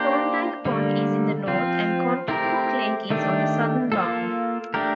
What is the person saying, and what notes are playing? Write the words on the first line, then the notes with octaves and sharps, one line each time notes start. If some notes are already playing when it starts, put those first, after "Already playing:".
Thorndike Pond is in the north, and Contoocook Lake is on the southern boundary.
Already playing: A#3 D4 G4 C5
D3 G3 A#3
F3 C4 F4
A3 C4 G4 A#4
D#3 A3 D4 G4
A#3 F4 A4
A3 D4 G4 A#4